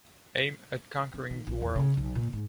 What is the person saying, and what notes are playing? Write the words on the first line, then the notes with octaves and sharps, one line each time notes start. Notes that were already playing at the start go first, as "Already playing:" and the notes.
Aim at conquering the world.
C4
D#3
A#1
E2
C#3
B1
A#2
G#2